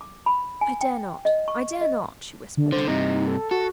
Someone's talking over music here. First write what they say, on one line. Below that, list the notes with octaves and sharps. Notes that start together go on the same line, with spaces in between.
"I dare not--I dare not," she whispered.
D6
B5
G#5
G5
D#5
C#6
D#5
D3
C2 D3 C5
G2 C3 D#4
A4
F#4 A4